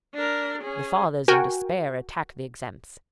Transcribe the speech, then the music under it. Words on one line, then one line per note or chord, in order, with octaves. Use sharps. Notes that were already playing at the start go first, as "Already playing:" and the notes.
The fathers, in despair, attacked the exempts.
D4 A#4
C#4 G#4
F#4 A#4 G5 G#5